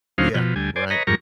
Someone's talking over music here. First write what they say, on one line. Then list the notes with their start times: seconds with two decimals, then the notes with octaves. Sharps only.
Yeah. Right.
0.18 D2 F#3 C#4 D#4 C5 F5
0.34 B2 F3
0.56 D2 G3 G#5
0.76 C5 D5 G#5
0.90 B4 C#5 D#5 A#5
1.07 F2 G#2 G3 A#4 A#5 C#6